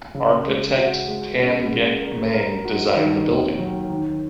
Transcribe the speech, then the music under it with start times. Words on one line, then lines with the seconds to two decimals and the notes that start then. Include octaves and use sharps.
Architect Tan Gek Meng designed the building.
0.14 C#3
0.46 G#3
0.78 F#4
1.08 G#3
1.40 C#4
1.71 G#3
2.02 A#4
2.34 A#4
2.65 F#4
2.96 D#3
3.28 D#2
3.58 F#3
3.90 D#3